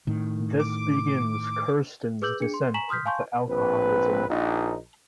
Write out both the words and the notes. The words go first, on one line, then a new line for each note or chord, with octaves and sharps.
This begins Kirsten's descent into alcoholism.
A2 D#3
D6
G#4 B4 D6 E6 G6 F#7
D4 G#4 C#7
C6
G#5 A#5 C#6 B6 E7 F#7
C6 D#6 F6 G6 B6
F5 G#5 A5 C6 C#6 G6
A#1 C4 B4
A#1 D#4